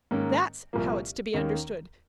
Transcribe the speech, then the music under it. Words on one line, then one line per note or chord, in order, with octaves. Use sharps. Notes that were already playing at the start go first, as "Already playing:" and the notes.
That's how it's to be understood!
G#2 D#3 A#3 C#4
C2 A#2 F3 A#3
D#2 D#3 A#3 C#4